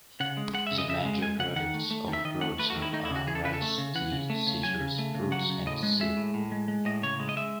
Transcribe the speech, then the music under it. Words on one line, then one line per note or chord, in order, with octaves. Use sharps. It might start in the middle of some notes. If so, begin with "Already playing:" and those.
The major products of Roudsar are rice, tea, citrus fruits, and silk.
C#3 F#5
G#3
G#3 F#5
C#3 E5
D#5
C#3 E5
G#3
G#3 G#5
C#3 F#5
D#3 F#5
A3
A3
D#3
E5
D#3 D#5
A3 F#5
A3 B4
F#4
D#3
E4
A3 D#4
E4
C#3
F#4
E3 G#4
A4
C#3 B4
A4
A3
C#3
E3 F#5
C#3
A3
C#3
F#3 G#5
C#3
A3
C#3
F#3 F#5
C#3
A2 D#5
G#3
G#3 E5
A2
A2
G#3
G#3
A2 D#5
C#3 C#5
G#3
D#5
G#3 E5